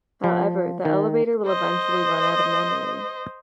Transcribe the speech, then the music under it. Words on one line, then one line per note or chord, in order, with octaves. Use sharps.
However, the elevator will eventually run out of memory.
F3
D#3
C5 D#5